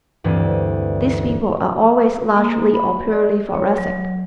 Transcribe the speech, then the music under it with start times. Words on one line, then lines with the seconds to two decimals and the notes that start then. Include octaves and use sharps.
These people are always largely or purely Thoracic.
0.24 D2 G2 E3 C4
2.36 A#3
2.74 B5
3.12 D5
3.54 C#5
3.78 F#3